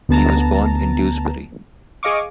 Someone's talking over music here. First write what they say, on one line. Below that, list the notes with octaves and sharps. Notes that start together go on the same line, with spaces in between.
He was born in Dewsbury.
D2 B3 A5 A#5
G#4 D#5 F5 C#6 D6